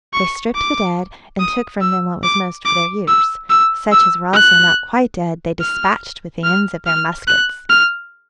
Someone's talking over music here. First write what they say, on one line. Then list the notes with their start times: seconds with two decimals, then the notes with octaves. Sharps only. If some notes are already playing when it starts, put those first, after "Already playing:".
They stripped the dead, and took from them what was most for their use; such as were also not quite dead they dispatched with the ends of their muskets.
0.13 C#6
0.55 D6
1.40 D#6
1.81 E6
2.23 D6
2.65 D6
3.08 E6
3.50 E6
3.92 E6
4.34 F#6
5.60 F6
6.44 F6
6.86 F6
7.28 F#6
7.70 F6